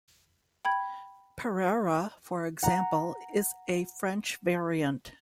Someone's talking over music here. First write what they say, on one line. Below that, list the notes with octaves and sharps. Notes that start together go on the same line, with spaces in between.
"Pereire", for example, is a French variant.
G5 B5 G#6
F#5 A#5